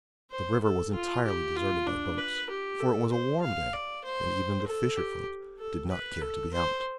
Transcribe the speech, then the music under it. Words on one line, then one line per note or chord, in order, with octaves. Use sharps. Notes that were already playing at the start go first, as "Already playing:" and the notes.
The river was entirely deserted by boats, for it was a warm day and even the fisher folk did not care to be out.
C5
A4
F4
G4
F4
D4
B4
G4
A4
C5
F5
D5
C5
A4
G4
A4
B4
A4
C5